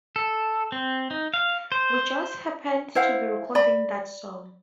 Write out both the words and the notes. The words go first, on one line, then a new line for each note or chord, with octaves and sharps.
We just happened to be recording that song.
A4
C4
D#4
F5
C5
E4 C5 F5 F#5
D5 B5